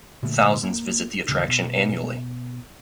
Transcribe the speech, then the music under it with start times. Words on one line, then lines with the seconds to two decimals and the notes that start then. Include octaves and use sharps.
Thousands visit the attraction annually.
0.23 A#2 D3 A3 A#3
0.63 A#3
1.28 D#2 C#3 E3
1.48 B2